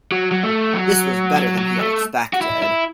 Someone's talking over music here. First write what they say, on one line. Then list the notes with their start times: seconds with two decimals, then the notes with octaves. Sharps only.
This was better than he had expected.
0.12 F#3
0.31 F#3
0.43 A3
0.74 F#3
1.36 F#3
1.58 F#3
1.79 A3
2.33 F#4
2.41 E4
2.62 E4